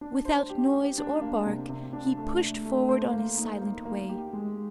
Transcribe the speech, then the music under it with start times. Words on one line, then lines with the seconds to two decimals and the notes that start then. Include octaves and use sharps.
Without noise or bark he pushed forward on his silent way.
0.01 D4
0.25 C5
0.50 G4
0.73 G4
0.98 D4
1.22 A#3
1.45 C3
1.69 C3
1.93 D4
2.17 A3
2.41 A3
2.65 A3
2.89 C5
3.14 A#3
3.37 D#4
3.61 A#3
3.85 A#3
4.09 G4
4.33 G#3